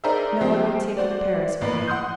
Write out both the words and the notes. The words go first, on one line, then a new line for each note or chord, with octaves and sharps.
No, I won't take you to Paris with me.
D#4 G#4 A#4 C5 D5 E5
F3 A#3 C4 G4 G#4 C5
F#4 C5 D5
A1 A#3 B4 B5
F#5 C6 D#6 F#6 G6